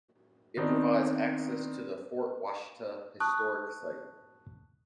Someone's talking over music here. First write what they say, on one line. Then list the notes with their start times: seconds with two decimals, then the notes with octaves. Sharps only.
It provides access to the Fort Washita Historic Site.
0.57 D#3 B3 C4 D4 D#4
3.20 A5 C#6 D#6 F#6